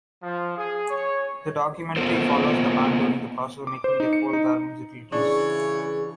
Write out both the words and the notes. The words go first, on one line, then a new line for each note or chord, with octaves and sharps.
The documentary follows the band during the process of making their fourth album "Zitilites".
F3
G#4
C#5
A#3 B3 F4 A4 A#4 C5
D6
C5
D#4
C#7
D#4
C#3 E3 D4 G#4 C#5